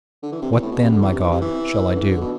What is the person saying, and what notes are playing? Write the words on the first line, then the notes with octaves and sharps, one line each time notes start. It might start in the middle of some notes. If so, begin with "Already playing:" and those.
What then, my God, shall I do?
D3
E3
C3
E2
A2
B2
C3
D3
E3
C3
E3
C3
E3
D3
E3
D3
B2